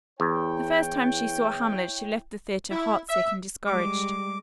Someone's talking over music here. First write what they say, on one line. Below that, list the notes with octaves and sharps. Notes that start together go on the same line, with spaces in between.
The first time she saw "Hamlet" she left the theatre heartsick and discouraged.
E2 E4 C#5 G5
E4
E5
G3 G#3 D6